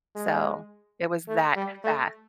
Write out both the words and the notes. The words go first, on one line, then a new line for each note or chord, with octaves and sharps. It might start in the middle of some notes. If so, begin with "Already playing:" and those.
So it was that fat.
G#3
A3
G3
A3